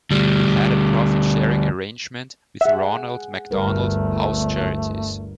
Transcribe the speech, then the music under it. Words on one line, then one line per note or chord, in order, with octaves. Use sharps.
It had a profit-sharing arrangement with Ronald McDonald House Charities.
D2 G3
G#4 E5 F#5
G1 D2 G2 G3 A3 A#4 B4